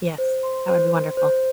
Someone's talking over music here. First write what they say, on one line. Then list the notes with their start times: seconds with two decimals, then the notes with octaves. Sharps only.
Yes. That would be wonderful.
0.18 C5
0.43 C6
0.68 C5
0.92 C5
1.17 C5